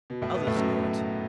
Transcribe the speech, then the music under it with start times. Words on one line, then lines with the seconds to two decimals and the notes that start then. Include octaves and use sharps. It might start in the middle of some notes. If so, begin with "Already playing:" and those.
Others know it.
0.10 B2
0.22 A2 A3
0.34 B2 B3
0.47 A2 A3
0.56 F#2 F#3